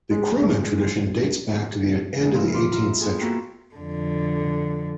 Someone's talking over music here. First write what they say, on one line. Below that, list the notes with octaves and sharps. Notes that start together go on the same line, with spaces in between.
The 'Krumen' tradition dates back to the end of the eighteenth century.
G#3
C#3 G#3
A#2 E3 F3 A#4 E5
F5 B5 C6 D6
D#4 F4 E5
B3 C4 G#4 A4
A#3 B3 F#4 A#4 E5 G5
F2 D3